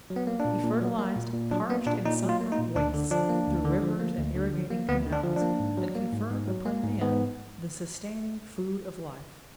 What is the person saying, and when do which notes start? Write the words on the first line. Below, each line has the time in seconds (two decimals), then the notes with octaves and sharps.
He fertilized parched and sunburnt wastes through rivers and irrigating canals, and conferred upon man the sustaining "food of life".
0.10 F#3
0.16 B3
0.27 A#3
0.40 D4
0.45 A#2
0.63 A#2
0.81 F#3
0.99 A#3
1.16 A#2
1.33 A#2
1.51 F#3 D4
1.70 A#3 B3
1.87 A#2 D4
2.05 A#2 D#4
2.23 F#3
2.29 F4
2.40 A#3
2.52 D#4
2.58 A#2
2.75 D2 D4
2.94 D3
3.11 F3 D4
3.29 A#3
3.47 D2
3.65 D3
3.82 F3
4.00 A#3
4.18 D2
4.36 D3
4.54 F3
4.71 A#3
4.89 D2 B3
5.06 D3
5.13 D4
5.24 F3
5.36 D4
5.42 A#3
5.60 G#2
5.77 F#3
5.95 A#3
6.12 G#2
6.31 G#2
6.48 F#3
6.66 A#3
6.84 G#2
7.01 G#2 B3